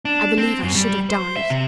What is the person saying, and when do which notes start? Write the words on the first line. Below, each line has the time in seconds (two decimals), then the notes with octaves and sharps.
I believe I should have died.
0.05 D4
0.37 C4
0.63 F#2
0.75 G3
1.10 C5
1.36 E5
1.50 C3